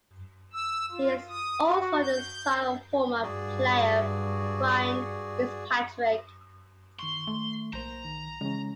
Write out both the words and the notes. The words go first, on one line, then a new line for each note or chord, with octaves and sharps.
He is also the son of former player Brian Fitzpatrick.
E6
F4
D#6
F#4
G6
G2 F#4 G#4 D5
D#3 C6 C#6
A3
B1 A#3 C5 A#5 G6
D#3
C#3 E3 G#3 C#4